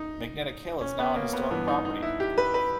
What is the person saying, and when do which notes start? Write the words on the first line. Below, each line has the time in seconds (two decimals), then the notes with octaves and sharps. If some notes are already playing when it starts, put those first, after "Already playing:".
Magnetic Hill is now a historic property.
Already playing: D#4
0.81 C#4
0.99 B3
1.16 A#3
1.33 B3
1.50 G1 G2 E3 B3
1.68 D#4
1.85 D#4
2.03 E4
2.20 G4
2.38 B4
2.54 B4